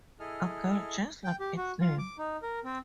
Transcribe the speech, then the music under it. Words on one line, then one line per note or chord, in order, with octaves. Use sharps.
Again, just like its name.
E4 G#4 A4 D#5 F6
G5
G4
F#4
F4
D6
D#4
A#4
C4